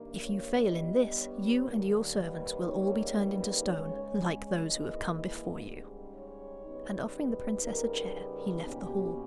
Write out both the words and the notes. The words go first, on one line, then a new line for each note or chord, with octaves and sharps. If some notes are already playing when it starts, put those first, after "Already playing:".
If you fail in this, you and your servants will all be turned into stone, like those who have come before you.' And offering the princess a chair, he left the hall.
Already playing: G2 D#3 A#3
C#5
G2 G3 B3 D#5
C#5
D#2 D#3 G3 A#4
B4
C#3 G3 A#3 D#4 C#5
B4
C#3 G#3 C#4 C#5
C#5
G#2 E3 A#3 D#5
D#5
G#2 G3 C#4
C#5
C#3 G3 B3 D#4
B4
C#3 G3 B3 D#4 A#4
A#4
B2 A#3 C#4 G4